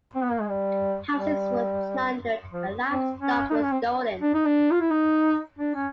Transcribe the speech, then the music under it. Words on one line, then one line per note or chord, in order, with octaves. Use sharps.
Houses were plundered and livestock were stolen.
C4
B3
A#3
G#3
G3
G3
F3
C4
C#4
D#4
D4
C#4
C4
D4
D#4
D4
F4
E4
D#4
D4
C#4